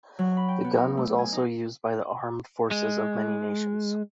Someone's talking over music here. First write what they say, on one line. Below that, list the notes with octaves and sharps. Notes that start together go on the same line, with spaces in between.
The gun was also used by the armed forces of many nations.
F#3
B5
G5
B3
D#4
A3
G#5
D#4
G#3